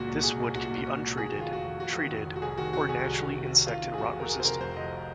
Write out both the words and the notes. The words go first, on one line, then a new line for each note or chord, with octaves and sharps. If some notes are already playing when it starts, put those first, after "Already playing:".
This wood can be untreated, treated, or naturally insect and rot resistant.
Already playing: C#2 A#2 F#4
C2
A#2 G#4
C2
A#2 F#4
C2
A#2
C2
F1 G#4
D#3 F#4
F4
F2 F#4
F1
F1 F#4
D#3
F2
F1
F#4
C2 G#4
D#3 F#4
C3 F#4
C2 G#4
C2
D#3
C3
C2
D#3 F4
C3
G#4
F2 F#4
F1
A#4
D#3 G#4
C5
C3 A#4
F2 C5
F1 D#5